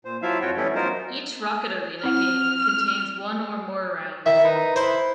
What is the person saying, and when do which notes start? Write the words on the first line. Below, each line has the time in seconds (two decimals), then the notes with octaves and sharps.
Each "Rocket Arena" game contains one or more rounds.
0.05 A#2 C5
0.22 F3 F#3 E4 F4 E5 F5
0.41 F2 F4 F#4 C#5 G5
0.57 E3 G3 A3 B3 C#4 E4
0.75 F#3 D#4 F4 A#4 C5
2.04 C4 E4 F#5 F6
4.26 D#3 E4 E5
4.45 D#4 B4
4.76 E4 C5 C6